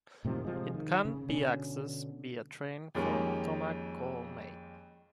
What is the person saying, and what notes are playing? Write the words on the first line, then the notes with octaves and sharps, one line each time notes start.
It can be accessed via train from Tomakomai.
A2 C3 D#3 F3
C3 F3 G#3
D#3
C#3
B2 D3 C#4
F2 D#3 G3 G#3 A#3 C#4